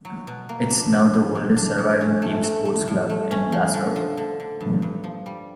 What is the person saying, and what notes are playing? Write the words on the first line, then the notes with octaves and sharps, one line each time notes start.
It is now the oldest surviving team sports club in Glasgow.
F#3
B2
A#3
D4
B2
B2
B2
D4
A2
C#4
A3
A3
A3
A2
A3
C#4
F3
D3
F3
D3
D3
G2
G2
F3
G3